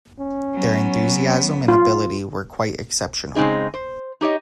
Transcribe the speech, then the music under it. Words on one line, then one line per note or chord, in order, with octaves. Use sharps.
Their enthusiasm and ability were quite exceptional.
C#4
F#3 B3
F4
C#3 G#3 C4 D#4 G#4
C5
D#4 G4 C#5 D#5